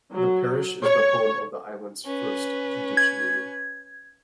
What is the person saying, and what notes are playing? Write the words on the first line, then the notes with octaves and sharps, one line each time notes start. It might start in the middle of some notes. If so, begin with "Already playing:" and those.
The parish is the home of the Island's first judiciary.
F#3
C#5
C#4 B4
G#6